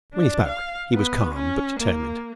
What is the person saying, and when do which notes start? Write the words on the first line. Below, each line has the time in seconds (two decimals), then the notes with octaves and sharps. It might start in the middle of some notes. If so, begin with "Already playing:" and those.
When he spoke he was calm, but determined.
0.14 D4
0.48 F5
0.94 B3
1.34 C#4
1.80 A#3